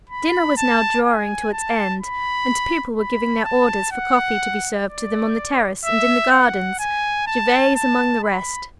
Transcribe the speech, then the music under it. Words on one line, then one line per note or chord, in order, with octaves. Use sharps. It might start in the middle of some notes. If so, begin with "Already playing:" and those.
Dinner was now drawing to its end, and people were giving their orders for coffee to be served to them on the terrace and in the gardens, Gervase among the rest.
B5
A5
G#5
A5
B5
B5
A5
F#5
D5
E5
F#5
G#5
A5
A5
B5